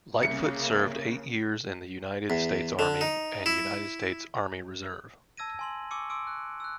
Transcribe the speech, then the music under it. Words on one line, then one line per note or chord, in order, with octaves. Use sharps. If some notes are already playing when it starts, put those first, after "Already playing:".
Lightfoot served eight years in the United States Army and United States Army Reserve.
C2 C#3 A#3 C#7
E2
D3
D#4
E4
A5 E6 G#6 A#6 D#7
G#5 C6 F#7
G#5 C#6 D6 E6 C#7 D#7
C6 D6 E6 D7
F#6
E6 F#6